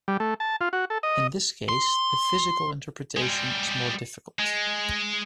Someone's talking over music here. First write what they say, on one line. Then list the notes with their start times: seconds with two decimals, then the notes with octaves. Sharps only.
In this case, the physical interpretation is more difficult.
0.08 G3
0.20 A3
0.40 A5
0.61 F4
0.73 F#4
0.90 A4
1.03 D#5
1.69 C6
3.17 G3 G#3
4.39 G#3